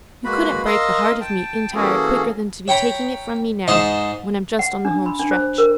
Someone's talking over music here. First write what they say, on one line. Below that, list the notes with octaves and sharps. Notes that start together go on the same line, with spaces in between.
You couldn't break the heart of me entire quicker than to be taking it from me now, when I'm just on the home-stretch.
G#3 A#3 F#4 B4 B5
A#4 D#5 F5 C6 D#6 E6
G5 A5
E3 A#3 C#4 F#4 G#4 A4
C#5 G5 A#5 B5
G#2 D#5 A5 C6
F#5
D4
B5
D4
C5
A#4